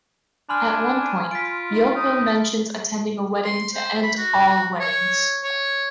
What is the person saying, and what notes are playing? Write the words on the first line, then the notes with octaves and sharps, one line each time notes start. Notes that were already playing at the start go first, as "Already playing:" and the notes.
At one point Ryoko mentions attending a "wedding-to-end-all-weddings".
D4 G#5 B5 C6 F6
D#7
F4 B6 D7
D#4
D#4 D#6
C6
C5
B5
F#4
C#5
C#5